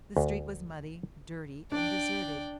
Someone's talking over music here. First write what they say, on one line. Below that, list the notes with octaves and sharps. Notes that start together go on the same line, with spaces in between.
The street was muddy, dirty, and deserted.
D2
D4 D5 G5